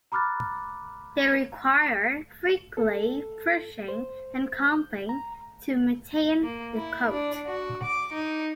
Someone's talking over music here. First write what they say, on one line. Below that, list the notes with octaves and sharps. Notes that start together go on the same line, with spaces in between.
They require weekly brushing and combing to maintain the coat.
A#5 B5 D6 F6 F#6 A6
A4
C5
G6
A#5
A#3
E4
D4
F#4
D6
D#4